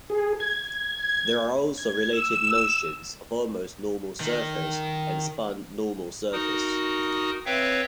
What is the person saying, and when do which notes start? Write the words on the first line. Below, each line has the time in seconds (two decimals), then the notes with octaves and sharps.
There are also related notions of almost normal surface and spun normal surface.
0.10 G#4
0.40 G#6
1.78 G#6
2.13 E6
4.20 D#3
6.33 D#4 F#4 A#4 D#6
7.46 C4 B4 C#5 E5 F5 G5